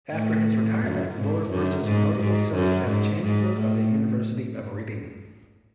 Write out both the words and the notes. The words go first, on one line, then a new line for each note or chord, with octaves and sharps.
After his retirement Lord Bridges notably served as Chancellor of the University of Reading.
A2
F#2
G#2
F#2
G#2
G#2
F#2
G#2
G#2
A2